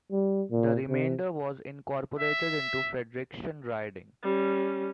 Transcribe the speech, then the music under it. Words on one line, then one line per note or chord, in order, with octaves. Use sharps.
The remainder was incorporated into "Fredericton" riding.
G3
A#2
C3
E5
G3 C#4